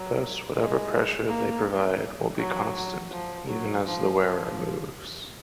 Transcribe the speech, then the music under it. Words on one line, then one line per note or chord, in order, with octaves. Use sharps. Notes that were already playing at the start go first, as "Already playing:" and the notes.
Thus, whatever pressure they provide will be constant even as the wearer moves.
Already playing: F#3
G#3
A#3
F#3
F3
F#3
F3
F3